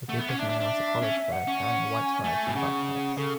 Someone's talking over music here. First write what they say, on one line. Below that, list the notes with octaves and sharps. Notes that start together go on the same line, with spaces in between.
A group of men are at a college fair carrying white bags and backpacks.
A3 F#5
B3 E5
C#4 F#5
D4 E5
D4
D4
C#4
F#5
C#4
G#5
A3
B2
C#3 F#5
C#3 A4